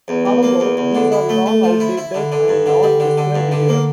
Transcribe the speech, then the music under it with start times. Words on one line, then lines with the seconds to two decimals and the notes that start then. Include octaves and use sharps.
However these are long outdated and not described here.
0.08 E2
0.25 E2
0.43 A#3
0.60 E2
0.77 E2
0.95 D3
1.12 E4
1.29 A3
1.46 A3
1.63 F3
1.80 E4
1.97 E4
2.14 D3
2.32 D3
2.48 G2
2.66 D3
2.83 G3
3.00 D3
3.17 D3
3.35 G2
3.51 D3
3.69 A#3